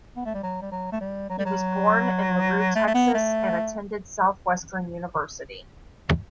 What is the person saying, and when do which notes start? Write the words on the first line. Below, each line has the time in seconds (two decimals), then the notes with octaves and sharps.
He was born in LaRue, Texas and attended Southwestern University.
0.16 B3
0.26 A3
0.34 G3
0.43 F#3
0.62 G3
0.72 F#3
0.92 A3
1.01 G3
1.30 F#3
1.39 G3
1.46 F#3
2.75 A3
2.87 A3
2.94 B3
3.14 A3